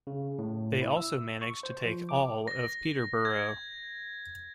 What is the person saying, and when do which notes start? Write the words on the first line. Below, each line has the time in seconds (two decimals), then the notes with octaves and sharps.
They also managed to take all of Peterborough.
0.07 C#3
0.39 A2
0.81 E4
0.97 E6
1.41 C#6
1.63 C5
1.85 F3
2.09 D6
2.48 A#6
3.25 G#6